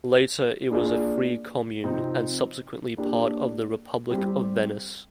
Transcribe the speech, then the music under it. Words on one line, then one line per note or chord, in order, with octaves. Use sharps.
Later it was a free commune, and subsequently part of the Republic of Venice.
A#3 D4 F4 G#4 D5
C3 F3 C4 D#4
A#3 D4 G4 A#4
G3 C4 G4